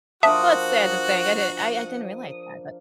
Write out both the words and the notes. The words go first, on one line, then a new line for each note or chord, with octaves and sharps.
it's sad to think, I didn't I I didn't realize that,
F3 D4 F#4 A#4 E5 F#5 A5 D#6